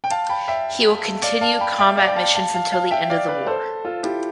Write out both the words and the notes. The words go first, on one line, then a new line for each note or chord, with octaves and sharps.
He will continue combat missions until the end of the war.
G5
F5 A5
G5 B5
E5 G5
D5 F5
F5 A5
G5 B5
E5 G5
D5 F5
G5
F5 A5
F5 A5
F5 A5
F5 A5
E5 G5
D5 F5
B4 D5
A4 C5
F4 A4
E4 G4